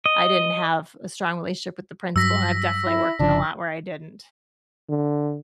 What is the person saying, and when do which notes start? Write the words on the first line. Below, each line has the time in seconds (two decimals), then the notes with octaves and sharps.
I didn't have a strong relationship with the principal, and I've definitely worked in a lot where I didn't.
0.06 D#5
2.16 G2 F#3 E6 A#6 B6
2.86 E4
3.20 G1 C#3 F3 D4
4.89 D3